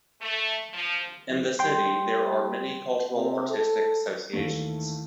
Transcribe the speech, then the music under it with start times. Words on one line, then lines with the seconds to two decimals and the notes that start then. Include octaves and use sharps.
In the city there are many Cultural Artistic Associations.
0.22 A3
0.74 F3
1.59 G3 G5 C6
3.15 C3
3.50 A4
4.33 D#2 E3 A3